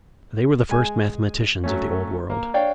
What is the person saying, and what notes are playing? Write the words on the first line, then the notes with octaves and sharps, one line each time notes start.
They were the first mathematicians of the Old World.
G#3 G#5
F#3 A3 C#4
A#3 A#4
D4 C#5 D5 F5 G5